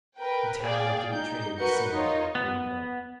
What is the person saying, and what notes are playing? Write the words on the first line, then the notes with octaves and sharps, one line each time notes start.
The town of Vietri was similarly cleaned up.
A#4 B4 G5
G#4 D5 F5 G5
D#4 G6
F#4 A#4 B4 F#5 G6 C#7
D#4 F4 A#4 C#5 D#5
B3